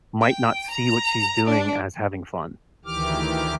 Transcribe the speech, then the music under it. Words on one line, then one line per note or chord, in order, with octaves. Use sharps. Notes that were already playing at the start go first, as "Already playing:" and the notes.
might not see what she's doing as having fun.
G5
A#5
D4
D2 D#3 E3 G4 D6 F6